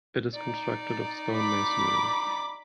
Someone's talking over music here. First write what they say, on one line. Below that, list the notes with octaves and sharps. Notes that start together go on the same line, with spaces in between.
It is constructed of stone masonry.
D#4 D5
B5 D6